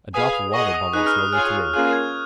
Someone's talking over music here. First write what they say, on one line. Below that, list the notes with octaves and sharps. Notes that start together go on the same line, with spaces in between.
A drop of water bubbled slowly through.
G#4 B4 F5 G#5 D#6
D#6
G#4 D#5 F#5 C#6
D#6
D#4 G#4 B4 F#6
F6
D#6
F4 G#4 C#5 G#5 F6
A#3 C#4 F4 G#4 F#6
G#6